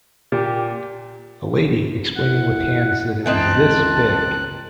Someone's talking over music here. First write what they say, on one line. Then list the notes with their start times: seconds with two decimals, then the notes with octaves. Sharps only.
A lady explaining with hands that it was this big.
0.32 A#2 G4
2.17 E4 F#5
3.26 C#2 E3 C4 D#4 A5 F#6